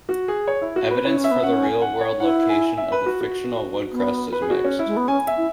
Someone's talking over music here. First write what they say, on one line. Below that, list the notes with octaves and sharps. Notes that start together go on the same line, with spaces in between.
Evidence for the real-world location of the fictional Woodcrest is mixed.
F#4
G#4
C#5
E4
F#4
B4
E4 C#5
C#4
E5
B3
C#4 F#5
G#5
F#5
C#5
E4 F#5
G#5
E5
B4
F#4
F#4
B3
B4
G#4
F#4
C#4
E4
G#3
B3
C#4 G#5
E5
E4